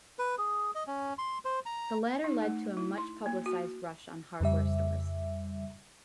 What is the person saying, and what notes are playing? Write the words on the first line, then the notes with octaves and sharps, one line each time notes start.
The latter led to a much-publicized rush on hardware stores.
B4
G#4
D#5
C#4
C6
C5
A#5
D#4
A3
E4
C6
A#3
F#4
F2 C#3 G3 E5